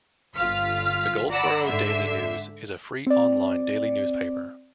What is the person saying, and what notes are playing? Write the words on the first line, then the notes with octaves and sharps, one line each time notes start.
The Goldsboro Daily News is a free online daily newspaper.
G1 F4 F5 F6 B6
D5 F#5 A#5 B5 E6
G#2 D3 E5 C7
C4 D5